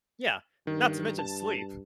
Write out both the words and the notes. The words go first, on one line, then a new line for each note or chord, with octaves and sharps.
Yeah, not to mention sleep.
G2 D#3
A5